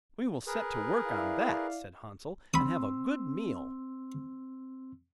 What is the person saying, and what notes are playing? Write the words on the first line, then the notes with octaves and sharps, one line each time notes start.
'We will set to work on that,' said Hansel, 'and have a good meal.
G#4 A#4 B4
E4 D5 F5
C4 B5 C6 D#6 E6